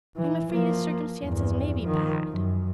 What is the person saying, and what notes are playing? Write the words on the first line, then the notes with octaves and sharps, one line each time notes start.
I am afraid his circumstances may be bad.
E3
F3 A#3
E2 G2
D#3 F3
F#2